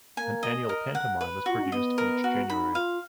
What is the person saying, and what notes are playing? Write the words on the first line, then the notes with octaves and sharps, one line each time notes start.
An annual pantomime is produced each January.
A#3 G#5
D#5
A#4
F#5
B4
F4 F#4
D#4
C#4
B3 D#5
A#4
F#4
D#4 B5
F4 F5